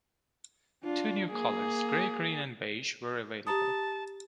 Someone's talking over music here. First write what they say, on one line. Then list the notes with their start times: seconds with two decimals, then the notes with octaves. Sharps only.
Two new colours, grey-green and beige, were available.
0.83 D4 F4
1.31 A#3 G#4
3.47 G4 A5 A#5 D#6